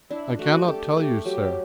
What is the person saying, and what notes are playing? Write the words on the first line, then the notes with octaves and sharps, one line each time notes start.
"I cannot tell you, sir."
D4 E4
A3 F#4
G4 A4
A3 G4
F#3 G4